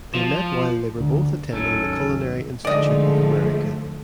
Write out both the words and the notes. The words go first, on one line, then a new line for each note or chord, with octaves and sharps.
They met while they were both attending the Culinary Institute of America.
F3
D2
G#1 D#2 D#3 F#3 C#4 A4
D3 F3 G#3 A3 D#4 D5 D#5